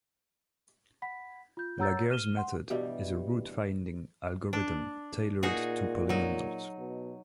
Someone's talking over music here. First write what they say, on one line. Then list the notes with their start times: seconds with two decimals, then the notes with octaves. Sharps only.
Laguerre's method is a root-finding algorithm tailored to polynomials.
1.02 F#5 B5 B6
1.57 F4 G6
1.79 C#5 F#5 A#5 E6 G6 A6
2.10 F6 D#7 E7 G7
2.37 F#5 C6
2.70 G2 B2 E3 G3
4.53 D4
5.43 A#2 D#4 F#4 G#4
6.09 F#3 D#4
6.78 B2